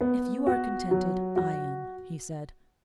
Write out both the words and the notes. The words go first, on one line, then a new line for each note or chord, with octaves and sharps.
'If you are contented, I am,' he said.
B3
F#4
F#3
F#4